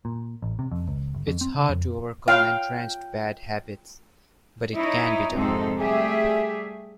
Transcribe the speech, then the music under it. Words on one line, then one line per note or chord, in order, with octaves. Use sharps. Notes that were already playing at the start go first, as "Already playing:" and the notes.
It's hard to overcome entrenched bad habits, but it can be done.
A#2
A1
C3
F2
C#2
G1
F2
C4
C#3
F2
F4 C#5 F5 G5
D#4 E4 C#5 D#5
F2 G#2 C3 C4 D#4 A4
G3 A3 G4 G#4 E5